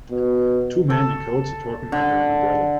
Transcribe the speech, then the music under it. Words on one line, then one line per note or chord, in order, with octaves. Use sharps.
Two men in coats are talking under an umbrella.
B2
A4
D3